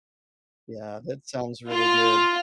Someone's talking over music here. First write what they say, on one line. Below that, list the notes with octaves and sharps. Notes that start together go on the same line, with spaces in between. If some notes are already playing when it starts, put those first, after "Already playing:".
Yeah, that sounds really good.
F4